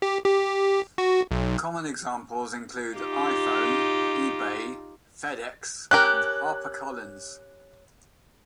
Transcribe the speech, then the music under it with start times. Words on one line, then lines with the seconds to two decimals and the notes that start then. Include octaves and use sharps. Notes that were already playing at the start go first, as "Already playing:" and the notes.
Common examples include "iPhone", "eBay", "FedEx", and "HarperCollins".
0.02 G4
0.25 G4
0.98 F#4
1.31 B1
2.97 D#4 F4 G4
5.91 C#4 G4 A#4 F#6